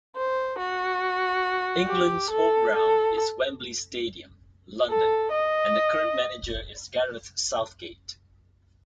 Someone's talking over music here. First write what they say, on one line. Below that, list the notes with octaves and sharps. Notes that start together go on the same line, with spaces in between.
England's home ground is Wembley Stadium, London, and the current manager is Gareth Southgate.
C5
F#4
G4
A4
A4
A4
D#5